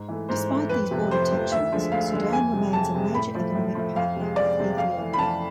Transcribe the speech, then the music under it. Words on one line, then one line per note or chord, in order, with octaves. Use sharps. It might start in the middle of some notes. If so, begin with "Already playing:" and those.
Despite these border tensions, Sudan remains a major economic partner of Ethiopia.
Already playing: G#2
E3 A3
G#2 C5
E3 A3
F2 B4
C3 F3 A3
F2 C5
C3 F3 A3
D2 E5
D3 F3 G#3
D2 F5
D3 F3 G#3
F2 G#5
C3 G#3
F2 A5
C3 G#3
A2 B5
F3 A3
A2
F3 A3
F2 F5
C3 G#3
F2 D5
C3 G#3
F2 F5
E3 A3
B5
F2 A5